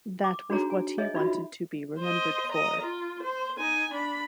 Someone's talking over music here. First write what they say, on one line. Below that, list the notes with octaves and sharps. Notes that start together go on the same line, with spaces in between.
That was what he wanted to be remembered for.
D6
D4 D#4 F#4 G#4 C#5 A#5
G#5
G#4 C#5 D#5 E5 G#5
D#4 F4 F#4 B5
E5
C5 D#5
D#5 A#5
F4
C5
D#4 G#5
D4 B5